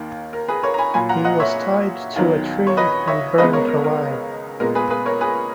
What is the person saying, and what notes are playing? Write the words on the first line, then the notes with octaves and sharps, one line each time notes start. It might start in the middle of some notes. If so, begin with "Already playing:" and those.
He was tied to a tree and burned alive.
Already playing: D#2 D#3 A#3
A#4
G#4 B4
A#4 C#5
A#5
G#5 B5
A#2 F#3 A#3 G#5 B5
F#5 A#5
D#5 F#5
C#5 E5
D#2 D#3 F#3 B3
C#5
B4 D#5
C#5 E5
C#2 C#3 G#3 B3 B4 D#5
A#4 C#5
A#4
A#4
A#2 G#3 B3 A#4
G#4 B4
G#4 B4
A#4 C#5
G#4 B4